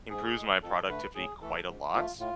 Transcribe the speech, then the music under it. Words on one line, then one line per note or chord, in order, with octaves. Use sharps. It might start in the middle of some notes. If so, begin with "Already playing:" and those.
improves my productivity quite a lot,
G#2 G#4
G#3
F2 A4
D3 A3 B4
A2 G#4
E3 A3 A4
G#2
F3 A3 F4
A2 F4